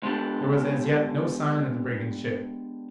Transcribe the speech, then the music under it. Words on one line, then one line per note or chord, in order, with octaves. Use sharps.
There was as yet no sign of the brigand ship.
G#3 B3 D4 G4 A4